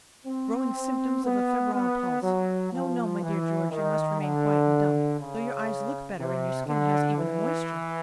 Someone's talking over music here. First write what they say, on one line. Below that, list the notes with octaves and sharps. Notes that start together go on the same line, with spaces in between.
"Growing symptoms of a febrile pulse--no, no, my dear George, you must remain quiet and dumb; though your eyes look better, and your skin has even a moisture."
C4
B3
B3
F#3
F3
E3
D#3
D3
C#3
C3
D3
E3